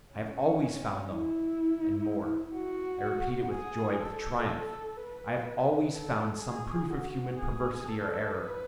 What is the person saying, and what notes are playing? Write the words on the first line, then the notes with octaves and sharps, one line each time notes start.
I have always found them; and more,--I repeat it with joy, with triumph,--I have always found some proof of human perversity or error.
C#4
E4
F#4
G#4
A4
B4
A4
G#4
F#4
G#4
A4
B4